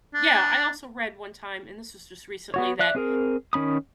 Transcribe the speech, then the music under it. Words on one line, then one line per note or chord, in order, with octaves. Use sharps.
Yeah. I also read one time- and this was just recently- that
D4
B3 F#4 C#5
D5 E5 F#6
C4 G#4 A#4
D#3 C#4 B5 D#6